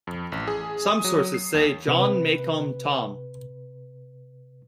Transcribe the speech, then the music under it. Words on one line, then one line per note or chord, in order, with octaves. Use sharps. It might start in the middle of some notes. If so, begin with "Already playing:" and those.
Some sources say John Macom Thome.
F2
A1
G#4
D#6
F#3
C7
D#2
C3 B4